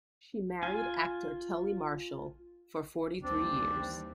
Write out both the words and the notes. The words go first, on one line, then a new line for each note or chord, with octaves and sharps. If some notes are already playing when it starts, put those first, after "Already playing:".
She married actor Tully Marshall for forty-three years.
F4 G#5
D#2 E3 G3 C4 D4